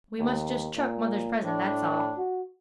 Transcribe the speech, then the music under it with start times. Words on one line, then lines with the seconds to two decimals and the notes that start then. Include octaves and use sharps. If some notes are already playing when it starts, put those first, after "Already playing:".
We must just chuck mother's present, that's all.
0.19 D#2
0.77 A#2
1.43 A2 D4
2.17 F#4